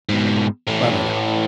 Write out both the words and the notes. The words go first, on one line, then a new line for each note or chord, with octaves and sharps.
Bye-bye now.
G#2 B2
A2 E3